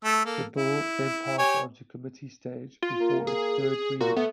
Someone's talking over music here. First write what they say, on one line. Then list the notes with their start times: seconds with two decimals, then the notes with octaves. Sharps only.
The Bill then passed on to Committee Stage before its third reading.
0.04 A3 E6
0.25 A#3 A4
0.57 E4
1.38 G4 C#5 G#5
2.82 F4
3.00 A#3
3.27 G#4
4.00 A#2 F#4
4.16 A3 B3